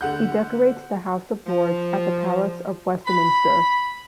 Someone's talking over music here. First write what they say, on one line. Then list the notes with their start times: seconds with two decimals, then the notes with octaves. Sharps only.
He decorates the House of Lords at the Palace of Westminster.
0.01 D3 F#5 G6
1.47 F3
3.06 B5